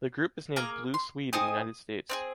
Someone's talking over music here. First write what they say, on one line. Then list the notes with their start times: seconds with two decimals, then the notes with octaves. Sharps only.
The group is named Blue Swede in the United States.
0.56 A#3 G#4 A#5
0.94 C6
1.33 C4 D#4 G#4 D#6
2.10 C4 D#4 G#4